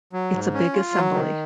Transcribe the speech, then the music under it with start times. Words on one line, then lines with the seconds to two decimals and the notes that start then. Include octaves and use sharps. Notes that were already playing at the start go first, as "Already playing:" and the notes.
It's a big assembly.
0.13 F#3
0.33 G#2
0.54 C#4
0.73 F4
0.94 F#3
1.14 D#3